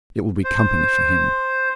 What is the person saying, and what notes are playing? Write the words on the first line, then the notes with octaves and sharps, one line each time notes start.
It will be company for him.'
C5